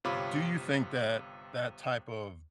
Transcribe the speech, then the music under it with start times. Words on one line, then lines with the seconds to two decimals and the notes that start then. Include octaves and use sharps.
do you think that that type of
0.04 G1 C3 F4 C#5 B5 D6